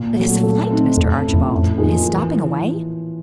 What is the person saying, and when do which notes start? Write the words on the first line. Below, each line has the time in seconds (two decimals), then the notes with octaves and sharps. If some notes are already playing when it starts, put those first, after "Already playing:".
"But his flight, Mr. Archibald, And his stopping away?"
Already playing: A#2
0.16 F#3 A3
0.43 A3
0.70 C4 D#4
0.97 F2 A3
1.24 C#4 E4
1.34 F2
1.51 A2
1.78 F3 A#3 D#4 G#4
2.05 E3